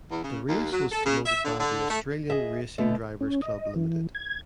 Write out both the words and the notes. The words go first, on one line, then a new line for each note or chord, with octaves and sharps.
The race was promoted by the Australian Racing Drivers Club Ltd.
E2
C#3
D#2
F#3
A4
C#3
E5
D3
D3
A3
G#4 D#5 E5
B2 D3 A3
C#4
D#5
E3
G#6